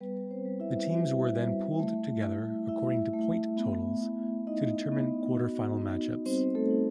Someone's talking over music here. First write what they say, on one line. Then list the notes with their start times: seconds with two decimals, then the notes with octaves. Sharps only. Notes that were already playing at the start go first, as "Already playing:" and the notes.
The teams were then pooled together, according to point totals, to determine quarter-final match-ups.
0.01 G3 B3 B4
0.31 C4 C5
0.45 G3
0.60 E4 E5
0.89 E4 F#4 E5
1.35 G3
1.79 A3
2.24 E4
2.69 E4 E5
3.13 A3
3.57 B3
4.02 E4
4.47 D#4 E4 D#5
4.92 B3
5.36 F#4
5.82 D#4
6.26 G3 C4 C5
6.55 A3 A4
6.70 D#4